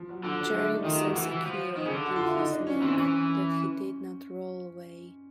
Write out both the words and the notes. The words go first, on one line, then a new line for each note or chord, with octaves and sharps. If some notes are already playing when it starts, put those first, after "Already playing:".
Jerry was so secure in his nook that he did not roll away.
Already playing: F3
F#3
D3 F3
F#3
A3
D#4
D#3 F4
G4
F#4
G4
E3 F#4
E3
F3
D#3
C#3
D3
F#4
F4
E4
D#4
D4
C#4
E3 C4
E3 C#4